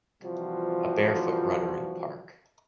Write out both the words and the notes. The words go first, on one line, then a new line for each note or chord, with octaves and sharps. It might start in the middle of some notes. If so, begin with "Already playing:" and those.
A bare foot runner in a park.
C3 E3 F3 G3 F4 F#4